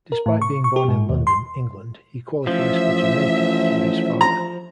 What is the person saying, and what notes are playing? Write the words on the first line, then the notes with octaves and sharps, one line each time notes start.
Despite being born in London, England he qualifies for Jamaica through his father.
A#4
A2
C#6
C#6
G4
G#2
D#2
C6
A1 F3 E5
A#5